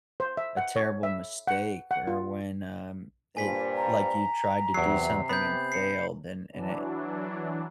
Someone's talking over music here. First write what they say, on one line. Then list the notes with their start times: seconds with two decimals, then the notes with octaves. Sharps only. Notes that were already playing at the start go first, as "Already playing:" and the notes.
a terrible mistake or when, um, it like, you tried to do something and failed, and and it
0.20 C5
0.37 E5
0.57 F#5
0.76 C#5
1.03 E5
1.47 F#5
1.91 F#5
2.07 F4
3.37 G2 A#2 C5 G#5 B6
3.76 A#5
4.74 E2 C3 F#3 C7
5.29 B3 B5 G6
5.72 C7 C#7
6.52 E3 F#3 D4